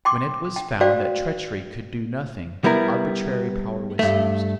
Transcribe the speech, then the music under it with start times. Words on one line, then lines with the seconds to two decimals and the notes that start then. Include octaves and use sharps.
When it was found that treachery could do nothing, arbitrary power was used.
0.05 G5 C6 D6
0.56 G5
0.81 F#4 C5 D5 F5 G5
2.64 G3 B3 E4 A#4
3.99 G2 A3